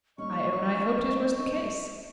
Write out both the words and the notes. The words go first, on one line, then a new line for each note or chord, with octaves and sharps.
I own I hoped it was the case.
G3 A#3 C#4 D#4 D#5 C#6